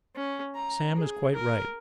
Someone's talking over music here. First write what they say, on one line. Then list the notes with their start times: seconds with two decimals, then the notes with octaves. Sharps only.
'Sam is quite right.
0.16 C#4
0.55 A#5
0.97 G#4
1.33 A#4